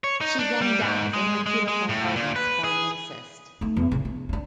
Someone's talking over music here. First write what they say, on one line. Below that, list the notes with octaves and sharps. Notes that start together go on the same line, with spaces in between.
She then dies and her cuticle hardens forming a cyst.
C#5
D#4
D4
G3
G#2
G#3
G#3
G#3
A2
A#2
B4
G#4
A3 D#4
E2
D1 C#3
D4
G2 D4